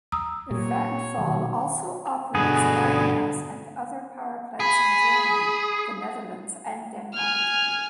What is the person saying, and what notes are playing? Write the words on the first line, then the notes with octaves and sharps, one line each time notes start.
Vattenfall also operates biomass and other power plants in Germany, the Netherlands and Denmark.
A#5 D#6 E6
A#2 G4 C#5
B2 D#3 F#3
G2 B2 D3 B3 G#4
G#4 B5
G#5 F6